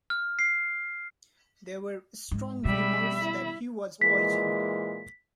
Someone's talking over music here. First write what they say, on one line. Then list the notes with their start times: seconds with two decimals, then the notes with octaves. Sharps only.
There were strong rumors that he was poisoned.
0.10 F6
0.39 C7
2.31 G#2
2.65 B2 G3 E5 B5
3.22 E4
4.02 A#2 E3 G#3 B6